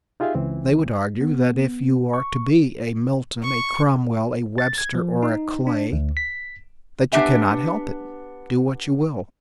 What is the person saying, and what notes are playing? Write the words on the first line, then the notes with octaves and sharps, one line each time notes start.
They would argue that if you are to be a Milton, a Cromwell, a Webster, or a Clay, that you cannot help it, do what you will.
D#4 F4 G4 G#4 E5 F5
C#2 E3 C4
B3
C#6
C#6
A6
G#6
F3
D#4
D4
D2
B6
B3 D4 G4 E5 G#5